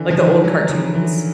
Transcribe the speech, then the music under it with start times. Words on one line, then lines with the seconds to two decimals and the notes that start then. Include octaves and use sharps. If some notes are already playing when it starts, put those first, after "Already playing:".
Like, the old cartoons.
Already playing: D3 E3
0.10 D#3 F3
0.27 D#3 F3
0.44 E3 F#3
0.60 F#3
0.69 D#3 F3
0.94 D3 E3